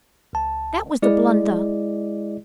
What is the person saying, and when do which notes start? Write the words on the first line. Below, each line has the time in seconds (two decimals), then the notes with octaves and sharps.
That was the blunder.'
0.33 C#2 A5
1.02 G#3 E4 G#4 D5 D#5